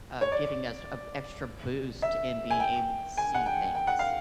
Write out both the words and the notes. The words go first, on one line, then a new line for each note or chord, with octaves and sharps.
uh, giving us a extra boost in being able to see things.
C#5
D5
E5
G#5
G5
G#5
F#5
G5
G5
F#5
F5